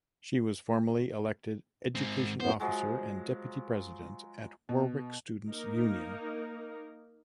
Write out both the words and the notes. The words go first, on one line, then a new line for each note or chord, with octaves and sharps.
She was formerly elected Education Officer and Deputy President at Warwick Students’ Union.
G#2 C4
F#2 A2 B3 C5
F3 F#3 G#3
B2
A#3 D#4 A#4